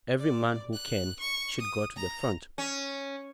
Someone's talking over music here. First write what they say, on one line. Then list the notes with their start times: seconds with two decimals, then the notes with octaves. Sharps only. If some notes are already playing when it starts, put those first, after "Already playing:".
"Every man who can, should go to the Front."
0.18 D5
0.73 F#6
1.20 C#6
1.61 D#6
1.97 A#5
2.58 C#4